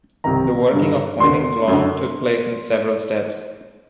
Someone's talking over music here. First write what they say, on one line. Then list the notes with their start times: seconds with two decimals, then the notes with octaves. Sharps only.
The working of Poynings' Law took place in several steps.
0.24 C2 C3 D#3 A#5
0.72 G2 D3
1.20 D#2 D3 C6
1.68 F#2 D3